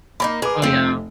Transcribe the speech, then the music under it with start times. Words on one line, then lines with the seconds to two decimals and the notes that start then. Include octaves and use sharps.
Oh, yeah.
0.20 A#3 C#4 D#4 B5
0.42 G#4 A#4 B4 D6
0.62 F1 C4 F4